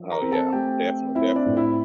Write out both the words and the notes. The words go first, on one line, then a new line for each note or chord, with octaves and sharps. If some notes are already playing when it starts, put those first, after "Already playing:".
Oh, yeah, defin definitely.
Already playing: F3
A#4 A#5
C4
A4 A5
A3 G4 G5
C4
C4 E4 E5
D4 D5
A2
E4 E5